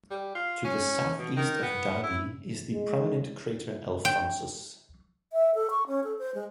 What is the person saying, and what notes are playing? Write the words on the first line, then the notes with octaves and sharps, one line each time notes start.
To the southeast of Davy is the prominent crater Alphonsus.
G3
F4
C#4
B2
D#3
B3
E4
G#3
G5
E5
A4
C#6
C#4
A4
C5
G#3